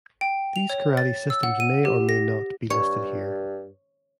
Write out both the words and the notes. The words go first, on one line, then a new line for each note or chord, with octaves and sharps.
These karate systems may or may not be listed here.
G5
F7
C#5
A6
E6
F#5
D#7
G4
A#6
G2 C#5